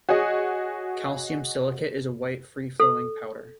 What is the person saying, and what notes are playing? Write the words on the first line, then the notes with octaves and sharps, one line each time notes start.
Calcium silicate is a white free-flowing powder.
F#4 G#4 C#5 D#5
A4